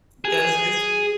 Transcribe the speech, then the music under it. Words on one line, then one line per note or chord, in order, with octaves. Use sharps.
Yes, just
G#4